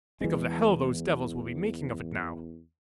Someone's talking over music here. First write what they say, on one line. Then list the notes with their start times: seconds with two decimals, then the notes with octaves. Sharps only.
Think of the hell those devils will be making of it now!
0.21 E2 E3 G#3